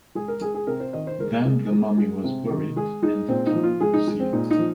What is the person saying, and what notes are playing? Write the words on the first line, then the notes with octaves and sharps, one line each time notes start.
Then the mummy was buried and the tomb sealed.
G#3 G#4
A#4
G#3 G#4
G#4
C3 A#4
C5
D#3 D#5
C5
G#3 A#4
G#3
G#3
G#3
C3
D#3
G#3 G#4
G#3 D#4
A#2 C4
D#4
F3
F4
G#3 G#4
D#4
G#3
C4
A#2 D#4
D#4
F3